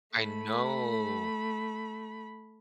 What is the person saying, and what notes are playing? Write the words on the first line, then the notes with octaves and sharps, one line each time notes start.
I know.
A3 B5